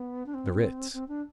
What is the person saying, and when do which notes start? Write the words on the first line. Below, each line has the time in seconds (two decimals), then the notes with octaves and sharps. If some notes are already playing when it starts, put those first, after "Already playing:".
The Ritz.
Already playing: B3
0.26 D4
0.34 C4
0.94 C4
1.08 D4